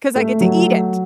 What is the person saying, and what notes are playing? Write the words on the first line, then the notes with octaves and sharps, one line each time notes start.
'Cause I get to eat it."
A3
F#3